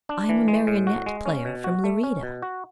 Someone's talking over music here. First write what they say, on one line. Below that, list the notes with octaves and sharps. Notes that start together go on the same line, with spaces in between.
I am a marionette player from Lerida.'
D4
E3
G#3
A2
F#4
G#3
C#4
B2
F#4
A3
C#4
B2
F#4